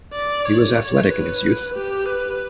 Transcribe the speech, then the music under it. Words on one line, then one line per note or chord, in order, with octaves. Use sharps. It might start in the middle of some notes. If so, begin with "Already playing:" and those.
He was athletic in his youth.
D5
C#5
C#5
B4
G4
B4